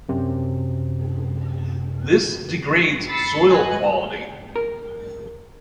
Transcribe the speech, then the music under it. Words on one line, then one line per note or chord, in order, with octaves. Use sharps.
This degrades soil quality.
F#2 C3
B5 E6 A6 C7 C#7
B4 D#5 G#5 F#6
A#4